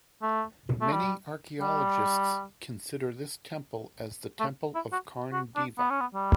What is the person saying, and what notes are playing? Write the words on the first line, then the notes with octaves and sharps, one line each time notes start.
Many Archaeologists consider this temple as the temple of Karn Deva.
A3
A3
G3
G3
A3
E4
F#4
F#4
D4
B3
C#4
B3
G3